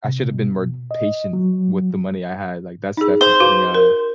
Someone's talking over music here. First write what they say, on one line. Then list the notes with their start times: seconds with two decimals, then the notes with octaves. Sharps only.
I should’ve been more patient with the money I had, like, that's definitely something, uh
0.05 C3
0.32 B2
0.91 D#5
1.33 F#3
2.97 D#4 G#4
3.21 C5
3.40 F#4 B4 F5
3.74 A#4